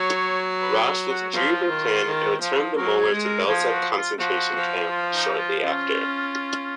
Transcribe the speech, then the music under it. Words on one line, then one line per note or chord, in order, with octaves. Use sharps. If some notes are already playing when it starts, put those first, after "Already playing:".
Rosh withdrew her plan and returned the molar to Belzec concentration camp shortly after.
Already playing: F#3 C#5
B4
F#4
F3 F4
D#3
D#3
F3
F#3 A#4
G#4
G#3
A#4
F3 G#4
F#4
F4
F3 F#4
F3
F4
D#4
F4
C#4 F4